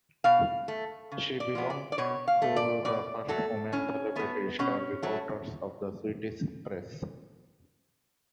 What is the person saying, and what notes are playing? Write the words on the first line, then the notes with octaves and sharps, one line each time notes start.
She belonged to the first women celebrity star reporters of the Swedish press.
B2 F5
A3
C#3
D5
F3 G#3 B3
D5
D5
B2 C#5
F5
A3
D5
B2 D5
F#3 A3 A4
A2 C#4
F#3 A3 B3
B2 C#4
F#3 A3